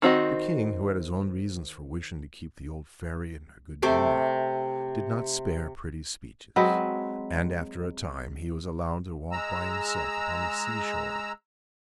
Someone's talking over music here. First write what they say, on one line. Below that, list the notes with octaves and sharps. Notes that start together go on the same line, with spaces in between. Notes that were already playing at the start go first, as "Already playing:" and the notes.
The King, who had his own reasons for wishing to keep the old Fairy in a good humor, did not spare pretty speeches, and after a time he was allowed to walk by himself upon the sea-shore.
D#3 C4 F#4 D#5
C3 A3 C5 D6
F#3 G#3 C4 B4
G#3 A#5 E6